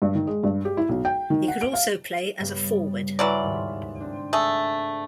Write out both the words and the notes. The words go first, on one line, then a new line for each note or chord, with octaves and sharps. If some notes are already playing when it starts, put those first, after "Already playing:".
He could also play as a forward.
G2
D#3
G#3
G2
G4
E4
B1
G5
D#3
F#5
D7
F5
G2 C#3 B3
E3 F#3 D5 F5
D#2 G#2
C4 D4
A3 G#4